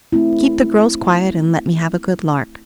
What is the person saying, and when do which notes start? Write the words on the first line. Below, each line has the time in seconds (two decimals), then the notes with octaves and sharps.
Keep the girls quiet, and let me have a good lark.
0.12 A3 C4 E4